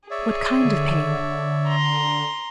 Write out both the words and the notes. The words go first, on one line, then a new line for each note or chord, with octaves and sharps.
What kind of pain?
G#4 C#5 D5 E5
D3
A#5 C6